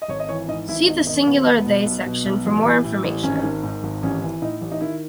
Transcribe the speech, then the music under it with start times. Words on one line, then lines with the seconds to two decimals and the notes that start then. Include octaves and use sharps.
See the singular they section for more information.
0.02 D#5
0.08 G#1 C#5
0.20 D#5
0.29 E3 C#5
0.48 G#2 D#5
0.68 G#1 E4
0.88 E1 D#4
1.07 D#3 D#4
1.27 D#2 B3
1.46 E1 B3
1.66 B2
1.86 B1
2.06 B2
2.25 B1
2.45 A1
2.64 E3
2.84 A2
3.04 A1
3.23 G#1 C#4
3.43 D#3
3.63 G#2
3.83 G#1
4.02 A1 C#4
4.22 E3
4.42 A2 D#4
4.61 A1
4.72 D#4
4.81 D#3 E4